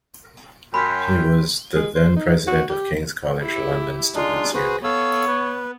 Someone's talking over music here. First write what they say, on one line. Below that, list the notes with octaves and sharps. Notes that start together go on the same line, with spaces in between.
He was the then President of King's College London Students' Union.
F#2 G5 B5 C6 F6 B6
G#3
C5
D#4
F#4
G4
E4 G4
G#3 D4 D#4 F4
F#4 G#4 B4 C5
B3 A4 C#5 F5 E6
B4